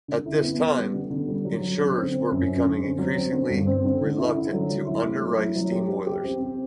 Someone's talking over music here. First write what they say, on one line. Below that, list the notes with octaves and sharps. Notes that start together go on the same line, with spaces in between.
At this time insurers were becoming increasingly reluctant to underwrite steam boilers.
D3
E4
B3
B3
G3
D3
D3
G3
F#3
F#3
D3
C4
C4
F#2
F#2
D3
C4
F#3
C4
D3
G2
C4
D3
D3
E4
D3
F#3
F#3
E4
A3
F#3
E4
F#3
G4
G4
G4
C4
C4